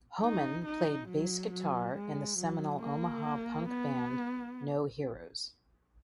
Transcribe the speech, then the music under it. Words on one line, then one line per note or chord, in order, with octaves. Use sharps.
Homan played bass guitar in the seminal Omaha punk band No Heroes.
D#4
D#4
F#3
F#3
G#3
F#3
A#3
B3